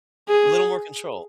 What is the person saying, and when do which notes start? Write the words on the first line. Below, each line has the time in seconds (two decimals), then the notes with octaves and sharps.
Little more control.
0.28 G#4